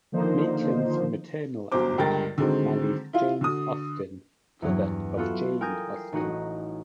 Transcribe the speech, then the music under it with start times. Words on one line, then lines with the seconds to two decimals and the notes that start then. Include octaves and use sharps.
Maitland's maternal aunt married James Austin, brother of Jane Austen.
0.12 D3 D#3 F3 A#3 D#4 C5
1.72 G1 F#2 B2 C5 D6
1.98 C#2 G2 D3 A#4 G5 A6
2.38 D3 D#3 F#3 G#3 C4
3.13 E4 F4
3.41 D3 F#4 D#6
4.62 E2 G2 F#3
5.17 B3 F4 F#4 A4
5.61 A#4 G5 G#5 D#6 G6 A#6
5.96 C7
6.12 A1 D#4 F#4 D#5